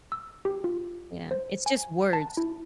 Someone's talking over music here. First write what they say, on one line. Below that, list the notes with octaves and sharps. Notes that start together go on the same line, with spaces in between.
Yeah. It's just words.
E6
G4
F4
C5
G#5
A5
E4